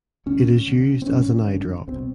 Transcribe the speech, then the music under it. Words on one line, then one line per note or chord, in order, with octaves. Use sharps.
It is used as an eye drop.
D2 D3 C#4
D2 D3
C4
G#1 G2 D3 C#4
G#1 G2 D3
C2 B2 C4